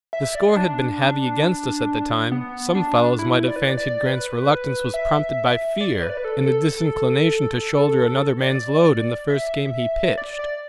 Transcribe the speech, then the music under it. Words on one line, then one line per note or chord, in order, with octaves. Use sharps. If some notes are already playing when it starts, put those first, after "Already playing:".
If the score had been heavy against us at the time, some fellows might have fancied Grant's reluctance was prompted by fear and a disinclination to shoulder another man's load in the first game he pitched.
E5
D5
D4
B3
D4
E4
D5
B4
D5
D5
B4
E5
D5
B4
D5
B4
A4
A4
D5
E5
D5
D5